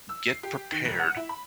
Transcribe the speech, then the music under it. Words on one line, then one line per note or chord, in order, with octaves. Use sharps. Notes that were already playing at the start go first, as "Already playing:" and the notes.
get prepared
E6
C7
G4
D#3
F1
F#5
E4
B5